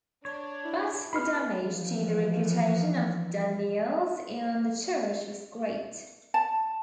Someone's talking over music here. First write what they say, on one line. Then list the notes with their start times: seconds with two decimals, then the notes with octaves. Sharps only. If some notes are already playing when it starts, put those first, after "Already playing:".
But the damage to the reputation of Danneels and the Church was great.
0.25 D4 C#5
0.65 E4
1.13 B3 B5 C6 F6
1.66 E3 F3
6.34 A5